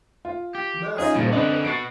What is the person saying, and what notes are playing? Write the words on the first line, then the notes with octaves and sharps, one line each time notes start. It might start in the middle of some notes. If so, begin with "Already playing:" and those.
Mercy on me!
F4
G4
C#4 D#4 F4 G#4
G2 A#2 C#3
D3 C4 D4 B4 D#5
B3 F#4 A6 C7 D7